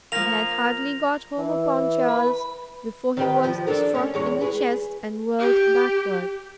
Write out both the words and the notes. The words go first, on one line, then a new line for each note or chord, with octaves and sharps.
He had hardly got home upon Charles before he was struck in the chest and whirled backward.
F3 A#3 A#6 F7
E3
B4
D#3 G4 B4
F3
D4 A4 A#4
C#4
E2 G#3 C#5
G#4 B4
G4